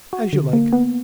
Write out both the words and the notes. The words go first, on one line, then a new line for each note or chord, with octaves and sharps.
'As you like....
F#4
D3
A#3
B3